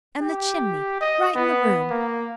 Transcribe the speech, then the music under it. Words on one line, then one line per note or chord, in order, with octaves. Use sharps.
And the chimney right in the room!
G4
D#5
B3
A#3